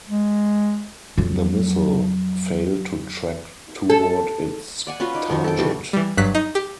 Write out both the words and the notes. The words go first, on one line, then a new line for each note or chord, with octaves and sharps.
The missile failed to track toward its target.
G#3
F2 F#3
A4
D5 F#5 G#5
C#4 F4 F#4 B4
D#4 D5
D#3 F3 F#3
A4 G5
E3 G3 A3 F#4
E3 G3
G1 G2 F#3 F#6 B6
D#4
G4